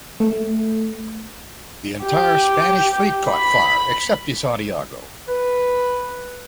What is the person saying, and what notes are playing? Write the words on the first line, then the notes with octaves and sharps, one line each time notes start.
The entire Spanish fleet caught fire, except the "Santiago".
A3
G4
B5
B4